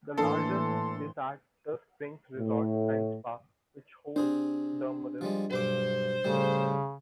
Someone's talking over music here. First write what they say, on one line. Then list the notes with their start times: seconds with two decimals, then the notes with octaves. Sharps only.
The largest is at The Springs Resort and Spa which hosts the mother spring.
0.18 A2 E3 A#3 D4 A4 C6
2.37 A2
4.16 C3 D4 G#4 C5
5.21 F3 G3 G#3
5.51 B1 G2 C5 D6
6.24 A2 C#3 G3